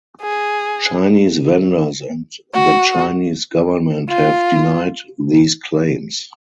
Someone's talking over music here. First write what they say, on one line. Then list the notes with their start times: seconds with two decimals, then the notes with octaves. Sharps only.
Chinese vendors and the Chinese government have denied these claims.
0.22 G#4
2.54 F#4
4.09 F4